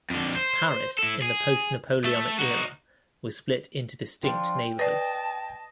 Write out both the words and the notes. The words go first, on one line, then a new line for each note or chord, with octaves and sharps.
Paris in the post-Napoleonic era was split into distinct neighborhoods.
F2 D3
C5
E4 A4
G#4
A3 A4
D#4 F#4
F3 D4 F4 G5
B4 D5 D#5 A5